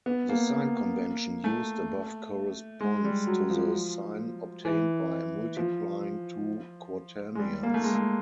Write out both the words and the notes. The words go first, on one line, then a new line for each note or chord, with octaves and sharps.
The sign convention used above corresponds to the signs obtained by multiplying two quaternions.
B3
A#3
A3
G#3
G3
F#3
F3
E3
F3
G#3
G3
A#3
A3
G#3
A3